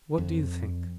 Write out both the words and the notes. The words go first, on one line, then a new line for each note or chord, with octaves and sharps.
'What do you think?
F2